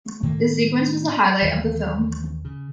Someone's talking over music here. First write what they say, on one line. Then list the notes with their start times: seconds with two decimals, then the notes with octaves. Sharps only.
The sequence was the highlight of the film.
0.23 A2 D#3 A3 A#3
1.42 D#2 E3
2.45 C#3